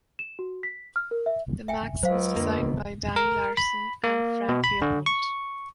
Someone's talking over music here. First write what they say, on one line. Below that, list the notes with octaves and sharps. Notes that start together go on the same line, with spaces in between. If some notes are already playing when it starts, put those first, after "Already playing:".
The Maxx was designed by Danny Larson and Frank Leopold.
E7
F#4
B6
F6
A#4
E5
E5 G5 G#5
C#2 F#3 C5 F5
F2 D3 A#3
C#3 B3
A#4
B5
A#3
B2
B5
D3
C#6